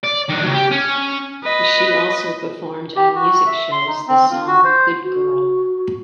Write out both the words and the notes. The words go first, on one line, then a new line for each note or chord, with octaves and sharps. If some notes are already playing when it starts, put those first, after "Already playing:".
She also performed on music shows the song Good Girl.
D5
D#3 D4
C#3 F#3
G4
C#4
B4 D#5
G4
F#4
E5
C6
D#4
C4
F4
F#4
C5
F#4